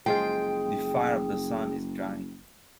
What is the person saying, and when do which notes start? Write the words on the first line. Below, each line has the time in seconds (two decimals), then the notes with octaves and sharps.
The fire of the sun is dying.
0.06 F#1 F3 G#3 F4 G#4 G5